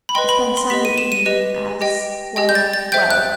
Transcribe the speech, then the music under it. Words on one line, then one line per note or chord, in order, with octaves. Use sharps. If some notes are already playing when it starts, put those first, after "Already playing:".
"I spend Sunday evening as--Well, well."
B5
B4 D#5 G5 C6
B5
C6
G4 B4 D#5 B6
D#7
E7
D#7
G4 B4 D#5
G4 D#5 G5
G4 D#5 G5
G6
A6
A6
C5 E5 G5 G6
F#6